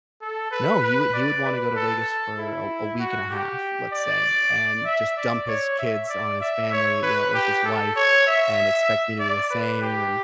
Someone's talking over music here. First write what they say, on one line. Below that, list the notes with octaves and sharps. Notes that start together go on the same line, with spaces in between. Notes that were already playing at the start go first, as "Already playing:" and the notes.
no, he would he would wanna go to Vegas for a a week and a half, let's say, and just dump his kids on his family, you know, with his wife and expect me to do the same, and,
A4
B4
B4
D5
B4
A4
E4
F#4
G4
D5
E5
D5
C#5
E5
D5
E5
C#5
B4
G4
A4
C#5
E5
D5
B4
G4